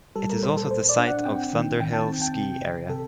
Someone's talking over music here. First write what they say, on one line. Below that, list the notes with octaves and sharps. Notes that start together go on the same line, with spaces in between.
It is also the site of Thunderhill Ski Area.
G3 A4
A#4
A#2 C5
A4
A#2 C5
D5
D4
F#5
C4 G5
D#3
D#3 G5
A5
C4
G5
C3
C3
C3 A4